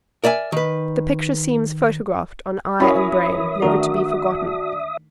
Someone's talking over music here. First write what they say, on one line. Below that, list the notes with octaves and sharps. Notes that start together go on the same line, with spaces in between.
The picture seems photographed on eye and brain, never to be forgotten.
A#4 D5 E5 G#5
D#3 B4
C#4 E4 F#4 A#4 C#5 E5 B5 D#6
E3
D#3 A3 D4 F#4 A#4